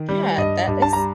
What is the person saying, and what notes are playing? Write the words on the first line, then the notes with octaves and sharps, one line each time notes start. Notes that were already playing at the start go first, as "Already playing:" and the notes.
Yeah, that is
Already playing: D#3
G3
G2 D#5
G2
A5
G3 A#5